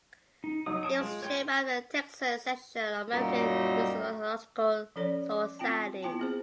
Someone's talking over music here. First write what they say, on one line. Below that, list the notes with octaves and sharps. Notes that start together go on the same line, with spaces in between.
He was chairman of the Texan section of the American Musicological Society.
D#4
F#3 D#4 D#6
C#5 A5 D#6 D7
G#3 F4
C#5 G5 C6 G#6 D7
F#2 A#2 F#3 G3 D#4 A#5
F3 C#4 A4 C#5 D5
D6
C4 F4 G5 A5
B3 E4 F4 G5 A5
C4 G#4 C5